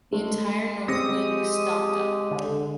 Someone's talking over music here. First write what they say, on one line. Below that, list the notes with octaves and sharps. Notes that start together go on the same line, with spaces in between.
The entire north wing was stocked up.
G#3 A3
G#3 C4 G4 D#6 A#6 C#7
D3